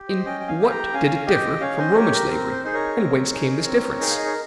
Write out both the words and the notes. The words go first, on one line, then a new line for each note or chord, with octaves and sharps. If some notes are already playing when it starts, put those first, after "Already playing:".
In what did it differ from Roman slavery, and whence came this difference?
Already playing: G4
C5 D#5
C#4 D#5 G5
G5
F5 G#5
G4
G5 A#5
C#4 F5 G#5
G4 D#5 G5
C#4 C#5 F5
C5 D#5
G4 A#4 C#5
A#4
C4 A#4
C5
D#4 G#4 C5
A#4 C#5
C4
D#4 G#4
C4
D#4 G#4 G5
F5
D#5
C#5